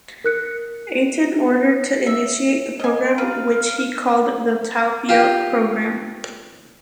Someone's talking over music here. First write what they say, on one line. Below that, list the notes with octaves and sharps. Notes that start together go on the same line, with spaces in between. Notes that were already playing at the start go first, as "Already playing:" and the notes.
Eitan ordered to initiate the program which he called the Talpiot program.
A#4 F#6 C#7
E5
D#5 G#5
A#3 B4 F5
F4 G4